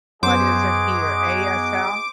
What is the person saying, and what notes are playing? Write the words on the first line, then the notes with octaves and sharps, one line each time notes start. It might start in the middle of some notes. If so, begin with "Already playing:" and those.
What is it here? ASL?
F#2 B3 D#4 F#4 G#4 C5 D6